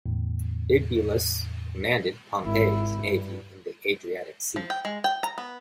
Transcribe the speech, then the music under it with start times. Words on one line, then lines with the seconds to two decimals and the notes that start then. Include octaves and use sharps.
Bibulus commanded Pompey's navy in the Adriatic Sea.
0.06 E2 A2 D3
2.42 G#1 E4
3.04 G2
4.56 F3
4.70 G5
4.85 G#3
5.04 G5
5.23 A#5
5.38 B3